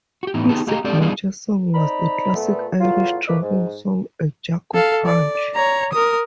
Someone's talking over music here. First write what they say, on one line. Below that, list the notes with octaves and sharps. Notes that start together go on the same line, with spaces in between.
His signature song was the classic Irish drinking song, A Jug of Punch.
F#4 G4
A2 E3 B3 D#4
B3 D#4 G4 G#4 A5
A#3 G4 G#4 D#5 A#5
G#3 C4 D4 G4 A4 D5
G3 B3 D4 D#4 F4 G#4
C4 D#4 D5 A#5 B5
A#2 A3 B3
E2 A2 F#3 F4
F3 A3 A#3 B4 D#5 D6
G#2
A4 F5
D5
C#5 A#5
A#4 D#6